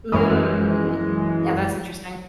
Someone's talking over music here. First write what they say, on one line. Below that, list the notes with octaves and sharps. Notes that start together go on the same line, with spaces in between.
Mm. Yeah, that's interesting.
F#2 E3 G#3